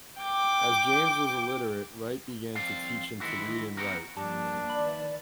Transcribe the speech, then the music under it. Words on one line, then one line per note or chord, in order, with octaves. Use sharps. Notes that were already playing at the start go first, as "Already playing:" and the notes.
As James was illiterate, Wright began to teach him to read and write.
G5 D6
F3 C4 D5 F5
D#3 E3 G#3 E4 F#4
B3 C4 F#4 A#4
G2 F3 A#3 D4 G4 A5
D#3 B4 D5 E5 B5